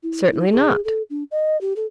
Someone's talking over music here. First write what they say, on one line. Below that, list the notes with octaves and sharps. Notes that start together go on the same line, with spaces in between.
Certainly not.
E4
E4
G#4
A4
D4
D#5
G4
A4